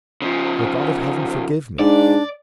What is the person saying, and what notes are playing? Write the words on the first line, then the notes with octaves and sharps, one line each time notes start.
The God of heaven forgive me!
C#3 F3
G#2 D4 D5